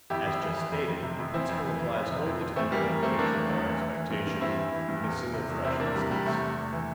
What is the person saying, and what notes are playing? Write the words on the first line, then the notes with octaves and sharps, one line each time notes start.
As just stated, the principle applies only to the verification of our expectation in a single fresh instance.
F2 E4 G4
F2
E3
F2
F2
F2
C3
F2
E3 C4 E4
F2
E3
E3
F2
C3
F2
F2
E3 A3 C4
E3 G3 A#3
E3 G3 A#3
E3 A3 C4
E3 A#3 D4
E3
E2
E3
E3
E3
G2
G2
G2 C4 E4
E3
E3
G2
E2
E2
C3
E2
C3 C4 E4
C3 A#3 D4
E2 G3
E2 G3
C3 A3
E2
E2
E3